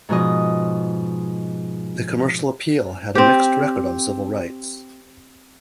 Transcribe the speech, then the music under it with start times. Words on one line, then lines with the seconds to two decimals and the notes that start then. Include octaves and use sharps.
"The Commercial Appeal" had a mixed record on civil rights.
0.09 G#2 B2 F3 D#5
3.15 C4 G4